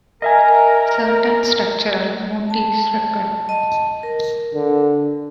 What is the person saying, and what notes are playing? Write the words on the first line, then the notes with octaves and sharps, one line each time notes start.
Certain structural motifs recur.
A#4 D#5 E5 G#5
A5
D#5 A5
A#4
D3